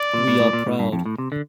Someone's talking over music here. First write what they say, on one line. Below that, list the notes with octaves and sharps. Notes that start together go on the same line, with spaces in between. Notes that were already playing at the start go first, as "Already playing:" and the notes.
We are proud.
Already playing: D5
A#2
A2
A2
A#2
A2
G2
F2
A2
C3
D3